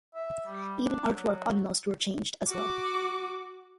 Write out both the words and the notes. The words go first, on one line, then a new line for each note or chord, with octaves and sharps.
Even artwork on most were changed as well.
E5
G3
D4
F#3
F#4 D6